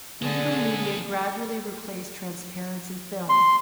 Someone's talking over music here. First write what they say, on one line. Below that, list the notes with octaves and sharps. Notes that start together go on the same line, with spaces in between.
Digital media gradually replaced transparency film.
D3 F#3 B3 G#4
C6